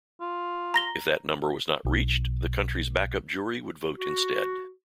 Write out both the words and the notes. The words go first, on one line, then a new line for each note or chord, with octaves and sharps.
If that number was not reached, the country's backup jury would vote instead.
F4
A#5 A#6 G7
B1
F#4